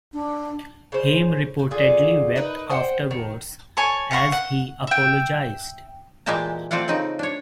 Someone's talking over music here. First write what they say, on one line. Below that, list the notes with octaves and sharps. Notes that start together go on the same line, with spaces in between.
Haim reportedly wept afterwards as he apologized.
D4
C#3 C5
D3 F4 G#4
D#4 A#4 B4
C5 F#5 G5
D#3
A4 C#5 G#5
C#5 F5 F#5 C#6
F#5
E5 G5
A#2 E3 G#3 G4 A5 A#5
A3 C4 F4 D5 F5 F#5
C#3 C4 D#4
D4 C#5